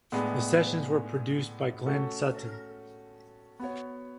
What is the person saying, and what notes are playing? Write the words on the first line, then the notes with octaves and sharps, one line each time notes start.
The sessions were produced by Glenn Sutton.
A2 G#3 B3 D4 G#4
A3 C#4 F#4 A4
B3 F#4 C#5